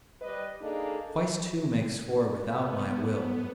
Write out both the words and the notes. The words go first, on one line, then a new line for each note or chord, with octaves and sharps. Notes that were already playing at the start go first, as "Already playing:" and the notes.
Twice two makes four without my will.
G3 B4 D#5
A#3 D4 D#4 G#4 A4
B3